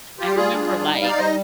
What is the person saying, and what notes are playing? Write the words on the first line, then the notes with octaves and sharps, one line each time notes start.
I remember like
F4 G4
G3 F4 G#4
D4
G3
D#4
D#4 D5 F5
G3 C5 D#5